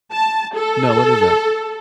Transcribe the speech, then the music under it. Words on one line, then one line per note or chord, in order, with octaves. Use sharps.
No, what is that?
A5
A4